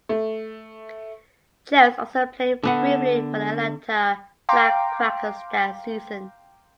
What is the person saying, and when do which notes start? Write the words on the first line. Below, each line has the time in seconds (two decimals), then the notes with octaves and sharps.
Jones also played briefly for the Atlanta Black Crackers that season.
0.09 A3
2.63 D3 B3 F#5
4.49 F5 G5 A#5 C6 D6